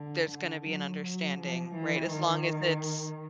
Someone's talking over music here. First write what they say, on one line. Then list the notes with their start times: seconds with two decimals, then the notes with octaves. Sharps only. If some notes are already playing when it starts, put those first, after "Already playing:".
there's gonna be an understanding, right? As long as it's
Already playing: D3
0.30 D3
0.67 F#3
1.03 F#3
1.39 F3
1.75 E3
2.12 D#3